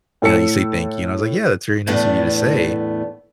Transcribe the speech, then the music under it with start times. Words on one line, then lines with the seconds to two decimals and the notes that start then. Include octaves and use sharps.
you know, you say thank you. And I was like, "Yeah, that's very nice of you to say."
0.22 A2 A4 C#7
1.87 E2 A2 A3 B3 D4